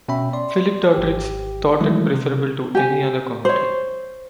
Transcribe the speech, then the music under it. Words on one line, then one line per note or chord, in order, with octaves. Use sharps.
Philip Doddridge thought it preferable to any other commentary.
B2 C#4 E5 G5 B5
D5 C6
G#1 G4
D#3 E3 F#3 G#3 A3 E4
C3
G4 G#5
C5 C#5